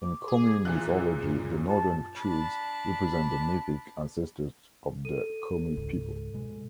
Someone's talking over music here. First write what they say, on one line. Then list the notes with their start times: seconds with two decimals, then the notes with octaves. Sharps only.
In Komi mythology, the Northern Chudes represent the mythic ancestors of the Komi people.
0.01 D6
0.28 G#4
0.65 A#2 E3 F4 G#4 F#6
1.23 F#2
1.67 A5
2.16 D4 A5 B5
5.05 A4 D#7
5.77 C#2 G#2
6.34 B2 G#3